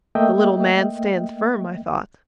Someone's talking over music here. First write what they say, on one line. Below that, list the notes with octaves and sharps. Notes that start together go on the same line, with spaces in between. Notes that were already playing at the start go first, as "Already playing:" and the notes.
The little man stands firm, I thought.
A3 A#3 D#5 E5 G5